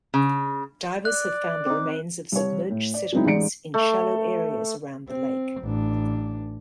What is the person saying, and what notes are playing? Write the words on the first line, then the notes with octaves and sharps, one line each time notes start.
Divers have found the remains of submerged settlements in shallow areas around the lake.
C#3
D5 F#6
C4 D#4 D6
C2 C#5
A2
D5
F#3 G#3 B3 C4 D#4 E4
A1 G#3 D#4 D5 C#7 D7
A3
C4
A1 D4